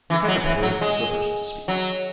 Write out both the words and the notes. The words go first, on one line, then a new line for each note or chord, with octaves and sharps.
The Caterpillar was the first to speak.
E3
F#3
E3
F#3
G#3
F#3